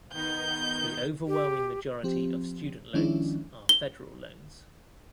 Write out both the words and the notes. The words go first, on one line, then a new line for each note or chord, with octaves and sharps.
The overwhelming majority of student loans are federal loans.
D#3 B3 D#4 G6
G4
F3 C4 G4
D#3 F3 G#3 C#4 D4 E4
G7